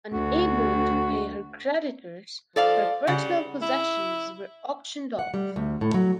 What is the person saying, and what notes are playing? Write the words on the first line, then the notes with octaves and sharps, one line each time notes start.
Unable to pay her creditors, her personal possessions were auctioned off.
D2 F#4
F3 A4 D5 F5
C#3 G3 F#5
E4
F#5
G3
D2
A2
F#3